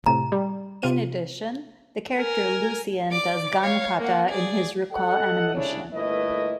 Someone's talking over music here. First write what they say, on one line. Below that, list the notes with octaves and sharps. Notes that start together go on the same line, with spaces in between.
In addition, the character Lucian does Gun Kata in his recall animation.
A2 C3 A#5
G3
C3 F4 D#7
A#4 G#5
D5 D6
C#5 F5
A#3 F#5
G#4 D5
A4 D#5 F#5
C2 C#3 D4 E4 C#5
G1 A3 A#3 E4 B4 D#5